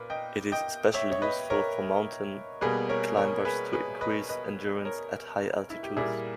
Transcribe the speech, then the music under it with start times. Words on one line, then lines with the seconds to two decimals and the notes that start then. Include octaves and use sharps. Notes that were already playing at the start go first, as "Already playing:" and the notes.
It is especially useful for mountain climbers to increase endurance at high altitudes.
Already playing: A#2 A#4 B4
0.10 D#5 G5
0.52 D#5 G5
0.94 C#5 E5
1.12 C#5
1.22 B4 D#5
1.50 A#4 C#5
2.61 B2 G3 A#3 G#4 B4
2.89 A#4 C#5
3.17 A#4 C#5
3.45 G#4 B4
3.73 G#4 B4
4.01 B4 D#5
4.29 B4 D#5
4.85 A#4 C#5
5.70 E4
5.83 G4
5.96 A#2 G3 A#3 E4 G#4